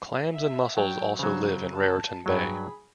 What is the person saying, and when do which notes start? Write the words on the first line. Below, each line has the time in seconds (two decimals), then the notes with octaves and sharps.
Clams and mussels also live in Raritan Bay.
0.33 E5
0.77 F#3 G5
1.19 C#3 F#3 C5
1.75 A5
2.26 G2 F#3 G#4 B5